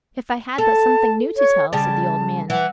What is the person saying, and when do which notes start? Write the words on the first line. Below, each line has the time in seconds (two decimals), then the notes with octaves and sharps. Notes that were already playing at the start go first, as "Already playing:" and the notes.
"If I had but something new to tell," said the old man.
0.58 A4 A5
1.37 C#5
1.73 C#3 G3 A5
2.50 E3 F#5